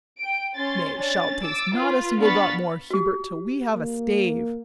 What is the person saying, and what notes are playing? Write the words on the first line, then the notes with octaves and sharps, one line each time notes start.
Nay, shalt taste not a single drop more, Hubert, till we have a stave.
G5 D7
C#4 C6 A6
C#4 D4 A6
D6 E6 A6
F4 B4
B3 D4 F5 B5 C#6 A6
F#4 G4
A#3